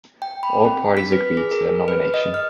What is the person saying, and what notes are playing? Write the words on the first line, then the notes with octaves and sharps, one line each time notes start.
All parties agreed to the nomination.
G5
B5
C4
B6
B4
G#4
A#4
B4
D#5
F6